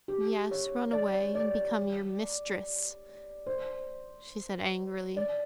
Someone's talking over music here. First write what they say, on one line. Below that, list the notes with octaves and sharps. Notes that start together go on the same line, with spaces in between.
"Yes, run away, and become your mistress," she said angrily.
G4
C#5
D5
D5
C5
D5